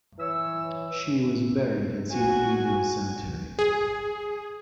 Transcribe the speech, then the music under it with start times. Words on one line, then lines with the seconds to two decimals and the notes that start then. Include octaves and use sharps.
She was buried in St Gabriel’s Cemetery.
0.19 E3 C#5 E6
2.12 F#4 G#5
3.59 G#4